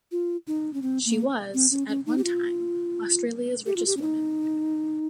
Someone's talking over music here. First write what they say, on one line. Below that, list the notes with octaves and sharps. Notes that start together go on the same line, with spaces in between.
She was, at one time, Australia's richest woman.
F4
D#4
C#4
C4
A#3
C4
C#4
C#4
D#4
G4
F4
G4
F4
G4
C#4
D#4